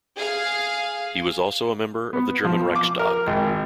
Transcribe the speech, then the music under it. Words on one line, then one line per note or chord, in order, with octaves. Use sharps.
He was also member of the German Reichstag.
G#4 F5
B3
F3
D6
A#4
G#1